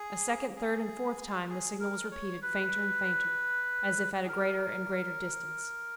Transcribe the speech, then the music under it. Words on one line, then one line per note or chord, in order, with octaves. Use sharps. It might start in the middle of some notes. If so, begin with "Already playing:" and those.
A second, third, and fourth time the signal was repeated fainter and fainter, as if at a greater and greater distance.
Already playing: G#4
G#4
G#4
A#4
C#5
B4
G#4
A#4